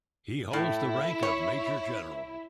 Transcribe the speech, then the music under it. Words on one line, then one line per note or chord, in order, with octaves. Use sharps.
He holds the rank of Major General.
A2 E4
C#5